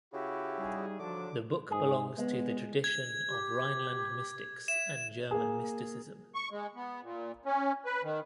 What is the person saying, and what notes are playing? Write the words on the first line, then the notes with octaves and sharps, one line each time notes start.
The book belongs to the tradition of Rhineland mystics and German mysticism.
C#3 E4 F#4 G4
G3 D#4 G#4
D3 F3 F#3 D4 D6
G#2 G#4
G#3 B3
G#6
G4
E5 E7
A#3 G#4
C#6
G#3
B3
A#2
C#4
B4
D#3